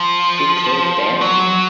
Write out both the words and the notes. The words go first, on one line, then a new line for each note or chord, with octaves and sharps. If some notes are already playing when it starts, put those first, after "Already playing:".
Who killed Bambi?
Already playing: F3
F#3